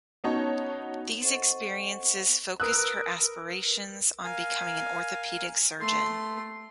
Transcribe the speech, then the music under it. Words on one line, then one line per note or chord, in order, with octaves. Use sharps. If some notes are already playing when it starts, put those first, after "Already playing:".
These experiences focussed her aspirations on becoming an orthopaedic surgeon.
B3 C#4 D#4 F#4 C#5 A5
C4 A4 C5 D#5 F#5 C#6
A#4 B4 D#6 E6 F#6
A#4 F5 G#5
A3 C6